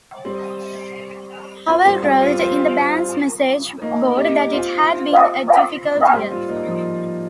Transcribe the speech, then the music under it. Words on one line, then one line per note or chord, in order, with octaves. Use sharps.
Powell wrote in the band's message board that it had been a difficult year.
G3 C4
C4 F4
G3 C4
G3 C4
C4 F4
C4 F4
A#3 D#4
D#4 G4
C4 F4
A#3 D#4
G3 C4
C4 F4
A#3 D#4
F3